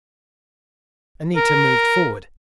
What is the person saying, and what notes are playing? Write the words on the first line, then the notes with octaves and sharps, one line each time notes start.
Anita moved forward.
A#4